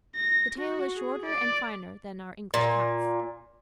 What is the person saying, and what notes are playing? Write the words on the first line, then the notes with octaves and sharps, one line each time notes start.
The tail is shorter and finer than our English cats.
A#6
F#4
G#4
D5
A#2